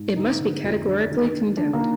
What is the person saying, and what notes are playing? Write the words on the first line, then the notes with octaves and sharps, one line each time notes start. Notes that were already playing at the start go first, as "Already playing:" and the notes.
It must be categorically condemned.
Already playing: G#2
D3 D#4
D3
F2
D3
D#3
D#3
D#3 D4
A#3
D#3